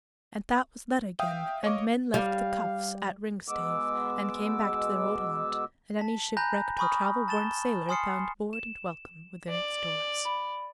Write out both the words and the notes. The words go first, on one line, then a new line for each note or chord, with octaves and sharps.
And that was let again, and men left the Choughs at Ringstave and came back to their old haunt, and any shipwrecked or travel-worn sailor found board and welcome within its doors.
E5 F5 G5 D#6
C#5 D#5 F5 C#6 D6
G3 F5
B2 G#3 B3 D6 E6
A5 B6
G#5 A#5 B5 F#6 G6 A#6
G#5 B5 C#6 D#6 F6
A5 A6 E7 G7
G#5 C6 D#6 F6 C7 C#7
E7
D5
B5